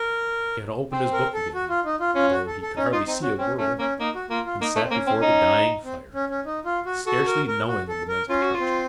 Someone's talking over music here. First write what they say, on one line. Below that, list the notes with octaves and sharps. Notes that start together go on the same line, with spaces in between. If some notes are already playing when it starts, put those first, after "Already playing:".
He had opened his book again, though he could hardly see a word in it, and sat before the dying fire, scarcely knowing of the men's departure.
Already playing: A#4
C4 C5
A#4
A4
F#4
F4
D#4
F4
C#4 F4
F#4
A4
A4
C#4 D#4
D#4 F4
C4 D#4
C#4 F#4
C4 C#4
A3 C#4
A#3 C#4
A#3 D#4
F#4
A#3 F4
F4
A#3 D#4
A3
C4
A#3 C#4
C4
D#4
C4
C#4
C#4
D#4
F4
F#4
F#4 A4
A#4
A#4
F#4
A4
A#4
C#4 F4
F#4
F4
C4